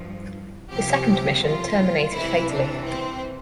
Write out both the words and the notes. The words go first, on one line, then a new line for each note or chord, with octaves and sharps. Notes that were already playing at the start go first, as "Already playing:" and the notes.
The second mission terminated fatally.
Already playing: G2 F3
C2 C3 F3 G4
F4
C2 C3 E3 E4
D4
C4